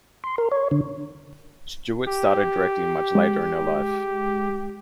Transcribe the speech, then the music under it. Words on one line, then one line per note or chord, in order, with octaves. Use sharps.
Stewart started directing much later in her life.
C6
A#4
C#5
D3
G4
G#3